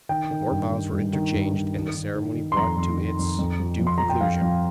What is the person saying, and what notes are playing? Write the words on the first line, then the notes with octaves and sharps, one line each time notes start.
More bows were interchanged and the ceremony brought to its due conclusion.
D#3 G5
D#3
G2
D#3
G2
D#3
G2
D#3
D#3
D#3
D#3
D#3
C6
F2 A#5
F2
D#3
F2
F2
F3
F3
C6
F3 A#5
G5
F3 F5
F2